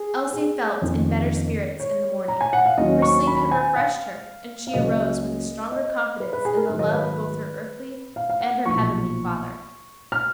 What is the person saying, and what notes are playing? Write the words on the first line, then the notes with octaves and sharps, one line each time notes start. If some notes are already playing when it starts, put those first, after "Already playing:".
Elsie felt in better spirits in the morning; her sleep had refreshed her, and she arose with a stronger confidence in the love of both her earthly and her heavenly Father.
Already playing: G#4
G#4
F2 D#3 A#3 C#4
C#5
A#5
G#5
F#5
F5
D#2 D#3 F#3 C#4 D#5
C#6
B5
G#5
F5
F5
C#2 C#3 F#3 A#3 C#4 D#5
D#5
B4
B4
G#4
A#4
G#2 D#3 F#3
D#5
C#5
B4
F5
F5
F#5
B1 A#2 F3 C#6
F6